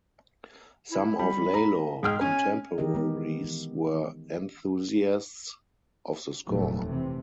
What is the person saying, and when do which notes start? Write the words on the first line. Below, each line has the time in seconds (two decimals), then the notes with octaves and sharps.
Some of Lalo contemporaries were enthusiasts of the score.
0.91 E4
1.19 G3 B5
1.54 A#5
2.03 G#2 G#4 G5 F6
2.21 C#4 G#5
2.78 D#3 E3 D#4 G4 A#4 D#5
2.94 D#3 E3 G#3 B3
3.44 E3
6.47 F1 D#2 A#2 F#3 A3
6.87 C3 E3